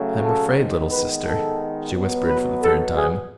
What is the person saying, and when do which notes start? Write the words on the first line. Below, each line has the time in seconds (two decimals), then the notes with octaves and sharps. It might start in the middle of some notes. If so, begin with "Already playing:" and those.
"I am afraid, little sister," she whispered for the third time.
Already playing: C#3 F#3 A3
0.23 A4
0.56 D#3 G#3 B3
0.91 B4
1.25 A4
1.93 B2 F#3 B3
2.28 B4
2.61 A4
2.96 G#4